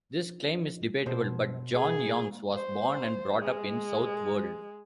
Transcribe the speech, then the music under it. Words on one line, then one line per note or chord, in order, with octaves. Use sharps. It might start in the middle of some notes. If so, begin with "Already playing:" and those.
This claim is debatable, but John Youngs was born and brought up in Southwold.
B2 C5
G#4
C5
G#3